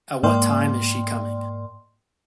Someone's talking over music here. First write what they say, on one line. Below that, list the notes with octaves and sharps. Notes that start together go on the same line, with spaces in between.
At what time is she coming?
G#2 A#3 D5 G5 C6